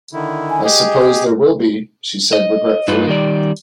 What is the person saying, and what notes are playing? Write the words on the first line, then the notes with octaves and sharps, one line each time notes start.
"I suppose there will be," she said regretfully.
D3 D#3 E4
G#5
G4 G#4 D#5
D#5
G2 D#4 F4 B4
D#3 G3 D5